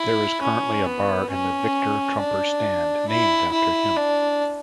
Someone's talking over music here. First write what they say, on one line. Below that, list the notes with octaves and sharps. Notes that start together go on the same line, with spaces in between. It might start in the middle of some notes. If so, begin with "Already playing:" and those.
There is currently a bar in the Victor Trumper Stand named after him.
Already playing: E4
C#4
B3
C#4
D4
E4
E4
D4